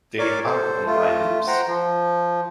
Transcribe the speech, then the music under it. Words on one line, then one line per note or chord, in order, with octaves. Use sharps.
They hung on my lips.
A#4 C#5 D5 D6
A4 C5
A3 F4
C5 F#5 G5 A#5
F3